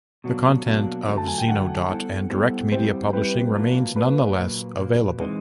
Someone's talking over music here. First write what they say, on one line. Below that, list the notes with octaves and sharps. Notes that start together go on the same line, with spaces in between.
The content of Zenodot and DirectMedia Publishing remains nonetheless available.
B2 F#3 A#3 D4
B2 F#3 A#3 D4
F#2 D3 F#3 A3
A5
G#5
G5
F#2 D3 F#3 A3 F#5
G3 B3 E4 A4 C5
G3 B3 E4 A4 C5
G3 C4 E4 G4 C5
G3 C4 E4 G4 B4
F#3 A#3 D4 F4
F#3 A#3 D4 F4 B4
A#2 F#3 A#3
A#2 F#3 A#3
E3 G#3 C4 D#4